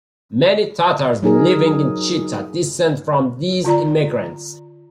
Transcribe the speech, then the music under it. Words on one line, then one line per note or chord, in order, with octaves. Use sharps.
Many Tatars living in Chita descend from these immigrants.
F#3 D#4 G#4 A#4
D3 F4 D5 A#5